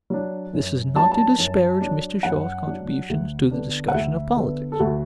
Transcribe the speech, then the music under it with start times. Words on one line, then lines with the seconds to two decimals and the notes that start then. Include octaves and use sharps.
This is not to disparage Mr. Shaw's contributions to the discussion of politics.
0.10 F#3 D4
0.53 F#2
0.96 F#3 A5
0.99 D4
1.12 A5
1.38 F#2
1.81 F#3 D4
2.23 F#2 F#5
2.67 F#3 D4
3.10 D2
3.51 D3 B3 D4
3.88 F#5
3.94 D2 E5
4.37 D3 B3 D4
4.72 A4
4.79 D2 F#4